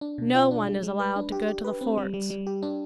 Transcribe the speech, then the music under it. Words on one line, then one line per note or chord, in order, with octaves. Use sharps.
No one is allowed to go to the forts.
D4
B2
F4
D4
G#3
G#3
B4
D4
G4
G4
B4
C4
G3
G3
G3
G4
D4